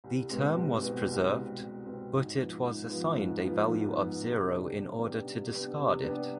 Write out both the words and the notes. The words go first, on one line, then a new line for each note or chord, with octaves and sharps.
The term was preserved, but it was assigned a value of zero in order to discard it.
C2
B2 G#3 C4
C2
B2 G#3 C4
C2
B2 G#3 C4
C2
B2 G#3 C4
G#2
F3 B3
G#2
F3 B3
G#2
F3 B3
G#2
F3 B3
C3
G3 B3 D4
C3
G3 B3 D4
C3
G3 B3 D4
C3
G3 B3 D4